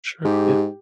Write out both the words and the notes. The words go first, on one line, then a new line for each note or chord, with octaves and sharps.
Sure, yeah.
G#2 G4